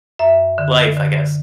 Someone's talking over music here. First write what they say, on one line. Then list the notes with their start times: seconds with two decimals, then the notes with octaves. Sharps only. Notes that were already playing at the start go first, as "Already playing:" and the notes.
life, I guess
0.19 F#2 E5
0.58 D3
0.97 D3